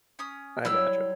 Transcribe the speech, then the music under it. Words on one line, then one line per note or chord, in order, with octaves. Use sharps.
I imagine,
C#4 D#6
F#3 G3 E4 E6